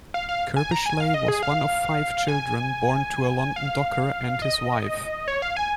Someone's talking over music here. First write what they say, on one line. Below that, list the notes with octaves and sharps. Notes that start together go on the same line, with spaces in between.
Curbishley was one of five children born to a London docker and his wife.
F5
F5
G#5
A#5
G#5
F5
D#5
G#4
F5
G#5
F5
D#5
C#5
F5
G#5